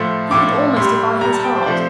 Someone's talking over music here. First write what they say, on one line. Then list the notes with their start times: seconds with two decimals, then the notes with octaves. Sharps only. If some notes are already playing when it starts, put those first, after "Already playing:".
He could almost defy his heart.
Already playing: A2 F3 A3 C6
0.31 A2 F3 A3 D6
0.76 A2 G3 C6
1.21 A2 G3 A#5
1.33 A5
1.44 G5
1.56 C5
1.62 D5
1.66 C3 F3 A3 C5